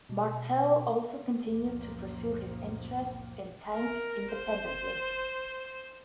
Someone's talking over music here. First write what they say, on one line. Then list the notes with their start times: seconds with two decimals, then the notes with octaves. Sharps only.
Martel also continued to pursue his interest in tanks independently.
0.09 B2
1.43 C#2 F#2 A#2 D#3 F3 A#3
3.75 A#4
4.33 C5